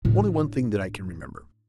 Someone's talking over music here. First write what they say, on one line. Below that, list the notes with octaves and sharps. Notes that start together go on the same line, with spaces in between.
Only one thing that I can remember.
A2 D4